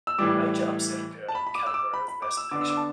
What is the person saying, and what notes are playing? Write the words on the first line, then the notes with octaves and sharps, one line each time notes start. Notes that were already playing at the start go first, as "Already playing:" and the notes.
A major upset occurred in the category of Best Picture.
E6
A2 E3 G3 D6
A5
B5
B5
D6
E6
D6
B5
B5
D6
E6
D3 B3 D4 D6
E6
D6
A5